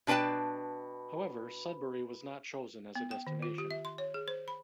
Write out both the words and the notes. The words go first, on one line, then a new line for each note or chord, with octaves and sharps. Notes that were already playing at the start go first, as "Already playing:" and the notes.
However, Sudbury was not chosen as a destination.
B2 D4 B4 G5 A5
B3
G5
D#3
F4
G4
E5
C6
C#5
G#4
C5
B5